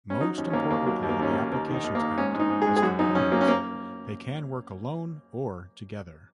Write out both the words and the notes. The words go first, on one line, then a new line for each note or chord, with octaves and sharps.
Most importantly, the applications act as components, they can work alone or together.
C#4
F#3 D#4
D#2 C#4
C#4
D#2 A#3
D#2 A#3
F#3 A#3
D#2
A#3
D#2 C#4
A#3
D#2
D#2 A#3
D#3
D#4
D#2
A#3
D#2
G#2 C#4
G#2
D#4
G#2
G#4
G#2
G#4
F#2 F#4
F#2 D#4
F#2 C#4
F#3 A#3
C#4
A#3